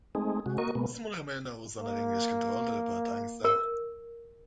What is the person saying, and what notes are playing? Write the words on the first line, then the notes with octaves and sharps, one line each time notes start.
The small remainder was under English control to repair tanks there.
G#3 A3 C4 D#4 G#4
C3 G#3 F#4
A#3 F#4 A#4 D#5 C#6
B2 G#3 A#3 B3
A#3
A#4